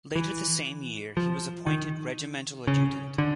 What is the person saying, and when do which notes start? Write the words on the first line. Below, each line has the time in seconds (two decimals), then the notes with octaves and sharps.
Later the same year he was appointed regimental adjutant.
0.15 E3
1.17 F3
1.67 D#3
2.67 C#3
3.18 D3